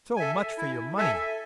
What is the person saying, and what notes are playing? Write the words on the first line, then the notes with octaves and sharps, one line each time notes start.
So much for your money!
A4 E5 G#5
E4
A4 E5 G#5